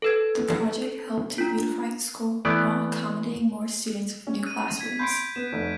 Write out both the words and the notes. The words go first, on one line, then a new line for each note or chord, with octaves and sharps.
The project helped to beautify the school, while accommodating more students with new classrooms.
A4 B4 G#6
D4 F4
E3 A3 B3 D5
C#4
D#7
G#6 B6
B5 C6 G6 D7
B3 E7
F1